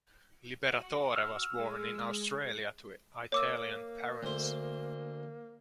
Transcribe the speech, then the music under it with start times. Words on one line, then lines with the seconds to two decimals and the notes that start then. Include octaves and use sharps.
Liberatore was born in Australia to Italian parents.
0.68 F#4
1.16 E6 F6
1.57 G#3
3.32 A#3 C#5 D6 E6
4.23 D2 C5